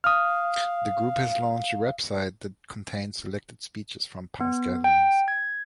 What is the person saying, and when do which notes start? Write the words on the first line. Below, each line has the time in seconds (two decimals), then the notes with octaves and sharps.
The group has launched a website that contains selected speeches from past gatherings.
0.04 F5 D#6 F6
4.41 B3
4.84 G5
5.28 G#6